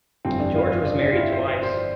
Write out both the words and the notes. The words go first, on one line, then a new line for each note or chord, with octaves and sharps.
George was married twice.
G1 F2 E3 G3 C4
D4
F4
F4
D4
D4
F4
E4
C5
C5
C5